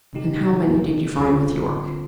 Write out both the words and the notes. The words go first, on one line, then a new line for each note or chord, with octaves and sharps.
"And how many did you find with Yorke?"
C3 D#3 G#3 D#4 G4
D2 D3 G3 C4 F4